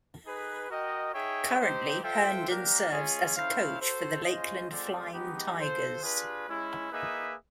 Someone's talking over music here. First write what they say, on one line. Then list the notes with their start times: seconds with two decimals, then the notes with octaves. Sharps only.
Currently, Herndon serves as a coach for the Lakeland Flying Tigers.
0.24 D#4 G#4 B4
0.68 F#4 A#4 D#5 G5
1.13 D#4 G#4 C#5 E5 G5
1.57 C4 D#4 G4 C5
2.01 F4 A4 C5 E5 G5
2.47 A#3 D4 G4 A#4
2.90 G#3 C#4 F4 G#4
3.35 C#4 E4 A4 C5 F5
3.79 F#4 A4 C5
4.24 C#4 F4 G#4 C5 D#5
4.68 G#3 C4 F4 A4 D5
5.12 G#3 B3 D#4 G4
5.58 F4 A4 C5
6.01 D4 F4 G#4 B4
6.46 G#3 C#4 E4
6.91 A#3 D#4 G#4 B4 E5